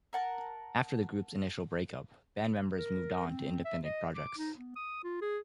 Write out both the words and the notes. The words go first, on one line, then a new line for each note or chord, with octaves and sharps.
After the group's initial break-up, band members moved on to independent projects.
A#4 F#5 A5
A#4
C4
E5
D#5
D6
D#4
B3
D#6
F4
G#4